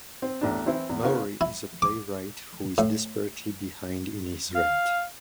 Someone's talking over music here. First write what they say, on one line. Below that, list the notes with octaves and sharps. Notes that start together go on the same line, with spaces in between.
Maury is a playwright who is desperately behind in his rent.
C4
A1 E2 D4
E3 C4 E4
E2
C#3 B3 F4 A#4
E4
D6
A2
F5